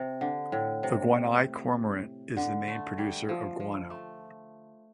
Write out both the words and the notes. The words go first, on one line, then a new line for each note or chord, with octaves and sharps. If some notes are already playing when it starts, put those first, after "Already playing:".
The Guanay cormorant is the main producer of guano.
Already playing: C3
D3
A2
C3
D3
A3
G3
F3
F3
A3